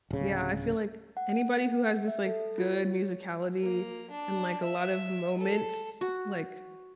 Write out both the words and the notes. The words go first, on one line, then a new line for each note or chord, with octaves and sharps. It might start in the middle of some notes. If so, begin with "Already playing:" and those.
Yeah, I feel like anybody who has just, like, good musicality and, like, a lot of moments, like
D1 C#3
F#5
E5
A4
F4
C#5
A#3
D4
E5
A4
F#4